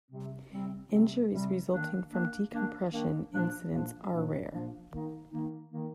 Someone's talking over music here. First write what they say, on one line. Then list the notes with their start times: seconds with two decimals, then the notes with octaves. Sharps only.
Injuries resulting from decompression incidents are rare.
0.11 C3 G3 C4
0.52 C3 G3 C4
0.92 C3 G3 C4
1.32 C3 G3 C4
1.71 D#3 A#3 D4
2.11 D#3 A#3 D4
2.51 D#3 A#3 D4
2.91 D#3 A#3 D4
3.32 A#2 F3 A#3 D4
3.71 A#2 F3 A#3 D4
4.11 A#2 F3 A#3 D4
4.52 A#2 F3 A#3 D4
4.92 D#3 A#3 D#4
5.31 D#3 A#3 D#4
5.72 D#3 A#3 D#4